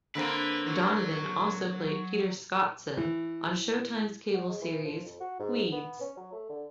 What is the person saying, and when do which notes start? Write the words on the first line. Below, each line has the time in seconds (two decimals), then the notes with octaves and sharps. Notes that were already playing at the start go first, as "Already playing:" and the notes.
Donovan also played Peter Scottson on Showtime's cable series "Weeds".
0.15 D3 A#3 C4 B4
0.67 F#3
2.97 E3
4.34 F#4
4.48 G#3
4.62 E3
4.84 F3
5.05 F2
5.20 F#4
5.39 G#2
5.72 B3
6.01 C#4
6.17 F#3
6.32 A3
6.49 D3